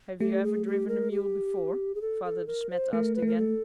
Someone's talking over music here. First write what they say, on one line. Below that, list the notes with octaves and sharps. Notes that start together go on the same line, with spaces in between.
"Have you ever driven a mule before?" Father De Smet asked again.
A3 G4
G#4
G4
A#4
G4
G#4
A4
A4
A#4
C5
A3 A#4
B4
A3 A#4
A4